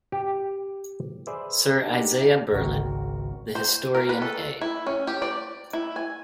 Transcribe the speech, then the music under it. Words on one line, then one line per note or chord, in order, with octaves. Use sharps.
Sir Isaiah Berlin, the historian A.
G4
G#4 B4 C5 D5 E5
D4 D#4 G4 A#4
G#1 C#2 F#4 A#4 G5
C5
A#4
B4
A4
E4
C#4
G4
D5
E4
G#5